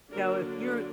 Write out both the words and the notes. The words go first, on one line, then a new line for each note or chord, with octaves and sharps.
You know, if you're
D3 F#3 A#3 D4 A#4